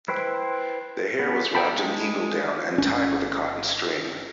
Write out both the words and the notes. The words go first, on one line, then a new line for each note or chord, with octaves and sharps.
The hair was wrapped in eagle down and tied with a cotton string.
E4 B4 C5 G5
B3
D#4 F#5 G5 A5 B5
G#3
G1 C#4